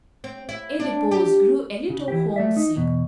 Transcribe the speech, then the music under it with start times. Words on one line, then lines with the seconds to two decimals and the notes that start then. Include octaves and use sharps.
Adipose grew a little home-sick.
0.24 C4
0.49 E4
0.80 D4
1.11 G4
1.90 C#3
2.08 E3 G4
2.36 A3 D5 E5
2.57 D#4
2.76 E2 B2